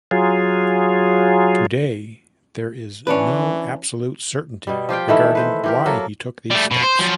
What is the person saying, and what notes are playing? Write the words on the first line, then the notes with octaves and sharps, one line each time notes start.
Today, there is no absolute certainty regarding why he took these steps.
F#3 F4 G#4
E3 C#4 D4 B4
B2 G3
F3 G4 F5 G5
D#3 E3 A3 E4
B4 C5
E3 G4 A#4
F#3 A#3 A4 A#4
G3 A3
B2
C5
F3 F#3